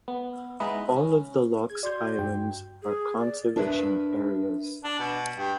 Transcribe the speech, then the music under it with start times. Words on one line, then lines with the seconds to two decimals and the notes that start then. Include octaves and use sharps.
All of the loch's islands are conservation areas.
0.08 B3
0.60 G#3 B3 D#4 E4 B4 D#5
0.96 C#4
1.70 G#4 G#6
1.83 F#4 D5 C6 G6
2.19 G2 G5
2.83 G#4
3.20 D5
3.56 D4 A#4 B4 E5
4.84 D4
4.99 B2
5.37 G2